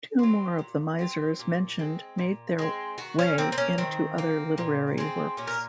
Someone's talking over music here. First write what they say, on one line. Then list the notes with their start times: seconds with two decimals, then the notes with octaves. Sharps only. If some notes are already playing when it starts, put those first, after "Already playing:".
Two more of the misers mentioned made their way into other literary works.
0.19 F#3 C4
0.59 A#2
0.99 F#3 C4
1.39 A#2
1.79 G#3 C4
2.18 A#2
2.59 G#3 C4
2.98 D#3 F#4
3.19 C#4
3.38 A#3 C4
3.52 C4
3.58 C#4
3.78 D#3 C4
4.18 A#3
4.58 A#2
4.98 G#3 C4
5.37 A#2 C#4
5.47 A#4